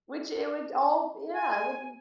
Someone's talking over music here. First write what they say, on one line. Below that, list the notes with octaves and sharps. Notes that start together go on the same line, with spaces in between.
Which it would all yeah. It would be
G#5